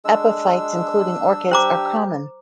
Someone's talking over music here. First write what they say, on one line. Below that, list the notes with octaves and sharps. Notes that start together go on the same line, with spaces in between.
Epiphytes including orchids are common.
G#3 D4 E6
G4 C5 A#5 D6